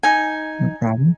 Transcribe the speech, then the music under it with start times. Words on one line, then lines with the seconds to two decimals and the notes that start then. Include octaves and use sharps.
No problem.
0.03 D#4 G#5